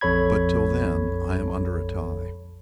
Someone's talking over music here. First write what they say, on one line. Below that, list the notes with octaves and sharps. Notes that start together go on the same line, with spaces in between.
But, till then, I am under a tie.
A#1 F2 A4 C#5 B5 G#6